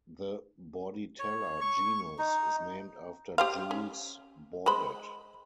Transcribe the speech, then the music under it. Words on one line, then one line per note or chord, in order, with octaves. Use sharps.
The "Bordetella" genus is named after Jules Bordet.
C#5
C#6
D#4
G4 C5 F5
C#4
G#3 C5 B5